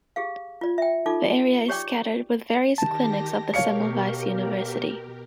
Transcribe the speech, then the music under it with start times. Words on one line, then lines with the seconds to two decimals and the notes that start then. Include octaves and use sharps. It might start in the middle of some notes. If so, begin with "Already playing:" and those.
The area is scattered with various clinics of the Semmelweis University.
0.16 G4 G#4 F5
0.61 F4 D5
0.78 E5 G5
1.06 D#4 F4 A4 D6
1.68 G4 C#5 D5 G5 D6
2.78 D#3 G4 A5 A#6
3.54 B2 G4 A#4 C#5 F5 C#7